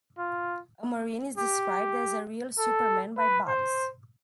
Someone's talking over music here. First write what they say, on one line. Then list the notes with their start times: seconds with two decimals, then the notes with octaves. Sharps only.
A Marine is described as "a real superman" by Bugs.
0.18 F4
1.38 G4
2.58 A4
3.18 B4
3.48 C5